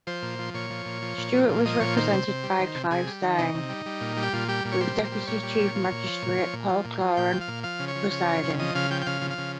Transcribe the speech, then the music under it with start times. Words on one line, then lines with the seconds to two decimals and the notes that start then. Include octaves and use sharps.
Stewart was represented by Clive Steirn, with Deputy Chief Magistrate Paul Cloran presiding.
0.07 F3 C5
0.22 A#2
0.39 F3
0.54 A#2 C#5
0.70 F3
0.86 A#2
1.02 F3
1.18 A#2
1.33 F3
1.49 A#2
1.65 F3 D#5
1.80 A#2 C#5
1.97 D#3 C5
2.13 C3
2.28 C3
2.43 G3
2.59 D#3
2.75 C3
2.91 C3 G#4
3.07 G3
3.22 D#3
3.39 C3 D#4
3.54 C3
3.69 G3
3.86 G3
4.01 A#2
4.17 G3
4.23 G4
4.33 A#2 F4
4.48 G3 G4
4.65 A#2
4.72 C#5
4.80 G3 C5
4.96 A#2
5.05 C5
5.12 G3
5.27 A#2 C#5
5.43 G3
5.59 A#2
5.75 F3
5.91 A#2
6.07 F3
6.22 A#2
6.38 F3
6.53 A#2
6.69 F3
6.85 A#2
7.01 F3
7.17 A#2 G5
7.33 F3
7.41 F5
7.48 A#2
7.64 F3 F5
7.79 C#3
7.88 C#5
7.96 F3
8.11 C#3
8.28 F3
8.44 C#3
8.59 F3 D#5
8.75 C#3 F5
8.91 F3 G5
9.02 G5
9.06 C#3 F5
9.21 F3
9.31 F5
9.38 C#3